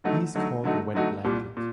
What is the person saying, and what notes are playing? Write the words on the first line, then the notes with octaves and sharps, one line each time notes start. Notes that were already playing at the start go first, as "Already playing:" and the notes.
He is called a wet blanket.
D3 F#3 A3 D#4 F#4
D3 F#3 A3 D#4 F#4
D3 F#3 A3 D#4 F#4
D3 F#3 A3 D#4 F#4
C2 A#2 G3
A#2